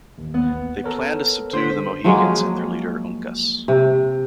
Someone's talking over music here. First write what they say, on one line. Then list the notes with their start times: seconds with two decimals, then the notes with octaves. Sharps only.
They planned to subdue the Mohegans and their leader Uncas.
0.18 A1 D#2
0.34 B3
0.84 A4 A#4 C#5
1.53 D3 C5 B6
2.04 F3 F#3 G#3 A#3
3.68 C3